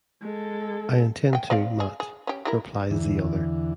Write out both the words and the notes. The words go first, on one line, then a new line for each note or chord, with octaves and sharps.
"I intend to, Mat," replies the other.
G#3 A4
G5 G#5
C4 D5 F5
G#4
G#4
C#4 G4
G3 E4 A#4
E2 D3 E3